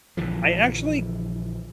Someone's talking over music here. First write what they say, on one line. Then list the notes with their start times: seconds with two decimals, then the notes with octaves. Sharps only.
I actually
0.17 A#1 D3 E3 F3